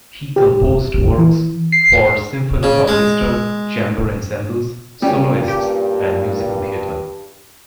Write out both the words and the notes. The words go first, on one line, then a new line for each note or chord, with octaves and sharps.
He composed works for symphony orchestras, chamber ensembles, soloists and musical theatre.
G4
E3
C7
C#3
G#3
G2 A#2 G3 C#4
G4